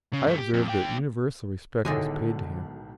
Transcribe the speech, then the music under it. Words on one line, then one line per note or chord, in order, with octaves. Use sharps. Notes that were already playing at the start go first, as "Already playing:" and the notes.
I observed that universal respect was paid to him.
C#3
G2 A3
G4
F2
A#3 G5
B1 A2 D3 D#3 G#3 G#5